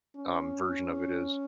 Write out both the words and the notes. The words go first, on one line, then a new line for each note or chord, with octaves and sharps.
um, version of it is.
C#4